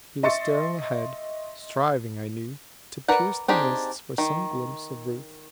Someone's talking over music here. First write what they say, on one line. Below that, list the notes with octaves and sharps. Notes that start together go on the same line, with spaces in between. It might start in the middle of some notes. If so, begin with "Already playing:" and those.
He was staring ahead, striving, I knew, to pierce the mists for some glimpse of Ruth.
D#5 E5 C6 C#6 A6 C#7
A#4 B4 D5 F#5
C4 D4 D#4 G4 G#4
D#3